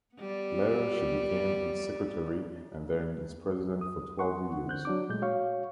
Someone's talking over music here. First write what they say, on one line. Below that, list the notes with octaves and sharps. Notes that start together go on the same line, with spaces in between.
Later she became its secretary, and then its president for twelve years.
G3 B3
D#6
F#5 C6 C#6
D3 C4 F#6 G6
F#3 D4 D6
A#2 G#3 A3 G6
F#4 C#5 F5 C#6